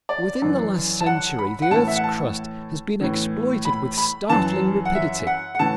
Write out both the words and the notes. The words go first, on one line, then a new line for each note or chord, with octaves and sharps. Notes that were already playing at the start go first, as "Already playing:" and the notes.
Within the last century the earth's crust has been exploited with startling rapidity.
D5
F#2 E3
A5
F#5
B5
F#5
A2 E3 A5
E5
F#5
A5
A2 E3
B5
B5
F#2 E3 A5
F#5
E5
F#5
F#5
A2 E3 A5